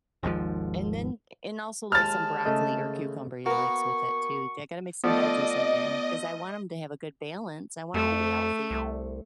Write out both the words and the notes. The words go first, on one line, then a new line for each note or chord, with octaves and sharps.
And then and also like some broccoli or cucumber he likes with it too. J I gotta make some veggies in there ‘cause I want him to have a good balance. I want him to be healthy.
G#1 D#2 G#2 F3
D#2 G#3 A5 F6 A6
C#3 A3 D#5
A#3 B3 F#4 A#4 C#6
F3 A3 B3 D5 D#5
F2 A3
C2